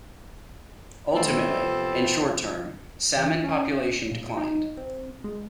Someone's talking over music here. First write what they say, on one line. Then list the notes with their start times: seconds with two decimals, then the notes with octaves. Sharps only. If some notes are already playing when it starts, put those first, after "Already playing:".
Ultimately, in the short term, salmon population declined.
1.14 D#3 A3 B3 C4 A4
1.53 C3 F3 F4
3.17 E3
3.44 C#4
4.11 A#2
4.37 D#4
4.77 C4
5.24 G#3